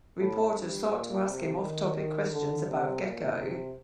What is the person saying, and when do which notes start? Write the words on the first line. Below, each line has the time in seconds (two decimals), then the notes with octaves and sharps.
Reporters sought to ask him off-topic questions about Gekko.
0.20 A2
0.56 G2
0.90 A#2
1.26 C3
1.61 D#3
1.97 D#3
2.32 D3
2.68 C3
3.03 A#2
3.38 C3